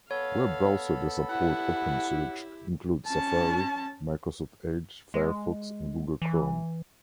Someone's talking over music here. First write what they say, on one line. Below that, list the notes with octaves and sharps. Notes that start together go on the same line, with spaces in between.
Web browsers that support OpenSearch include Safari, Microsoft Edge, Firefox and Google Chrome.
B3 A4 C#5 F5 B5
E4 G4 F#5
C#4 A5
G#3
E3